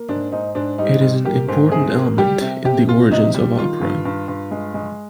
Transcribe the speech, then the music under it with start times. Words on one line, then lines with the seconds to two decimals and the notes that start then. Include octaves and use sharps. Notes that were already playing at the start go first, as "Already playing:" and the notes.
It is an important element in the origins of opera.
Already playing: A#3
0.09 G#2 D4
0.32 G#2 D#4
0.55 G#2 D4
0.78 G3 D#4
1.01 G3
1.24 A#3 G4
1.48 G#2
1.72 C3 G#4
1.95 A#3
2.18 G3 G4
2.41 C3
2.65 C3 G4
2.88 C3 F4
3.11 C3 D#4
3.34 G3
3.58 D#3 F4
3.81 G2
4.05 G2
4.28 G2
4.51 G#3
4.74 G#3